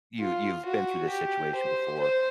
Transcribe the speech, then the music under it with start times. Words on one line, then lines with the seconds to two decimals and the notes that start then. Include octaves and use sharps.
you you've been through this situation before.
0.21 F4
0.65 F#4
1.10 G4
1.56 C5
2.01 C5